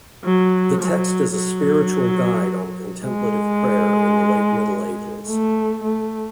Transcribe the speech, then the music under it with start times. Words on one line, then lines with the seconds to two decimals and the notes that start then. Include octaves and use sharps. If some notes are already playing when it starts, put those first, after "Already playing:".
The text is a spiritual guide on contemplative prayer in the late Middle Ages.
0.25 F#3
0.81 F#3
1.37 F#3
3.05 G#3
5.28 A3
5.84 A3